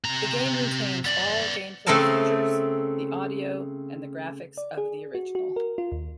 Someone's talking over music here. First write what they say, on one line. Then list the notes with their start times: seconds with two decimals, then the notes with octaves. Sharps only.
The game retains all gameplay features, the audio and the graphics of the original.
0.04 C3 A#5
1.05 B3 D5
1.86 C#3 A3 C4 A4 A#4 A5
4.58 D5
4.78 G#4
5.15 F#4
5.35 F#4
5.56 A#4
5.78 F4
5.92 D#2